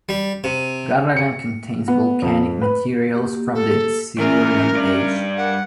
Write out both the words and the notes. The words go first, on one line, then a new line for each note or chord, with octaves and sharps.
Garran contains volcanic materials from the Silurian Age.
G3
C3
C#7
B3
F2
B4
A#3 G4
A4
E3 C#4 G#4 A#4 E5
G2 D5
A#4 F#5 D6